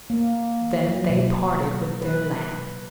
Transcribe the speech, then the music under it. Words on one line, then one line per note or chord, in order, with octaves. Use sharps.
Then they parted with their land.
A#3
F#3
B2
B4